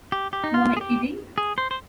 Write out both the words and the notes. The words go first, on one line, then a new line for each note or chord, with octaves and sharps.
Who am I kidding?
G4
G4
D#4
F4
G#4
G4
G#4
C5
C5